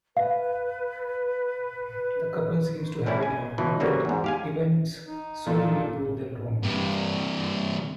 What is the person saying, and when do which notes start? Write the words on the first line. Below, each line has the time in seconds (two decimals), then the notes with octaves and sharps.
The couple seems to have it all, yet events soon will prove them wrong.
0.17 B4 F5
3.06 A2 E3 G3 C#4 E4 G4
3.23 G#5
3.58 C#2 B2 E3
3.80 C#3 E3 F#3 G3 A#3 C4
4.05 E2 G#2
4.24 G4 F5 G#5
5.06 D#4
5.46 A#2 A4
6.63 G2 C3